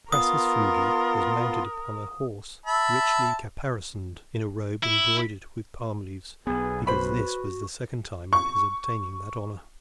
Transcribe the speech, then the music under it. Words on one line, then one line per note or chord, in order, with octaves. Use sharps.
Crassus Frugi was mounted upon a horse richly caparisoned, in a robe embroidered with palm leaves, because this was the second time of his obtaining that honour.
B3 F4 A#4 C6 D#6
E5 A5 B5
E4
B1 B3 G#4
F#4 B4 C5 B5
C#6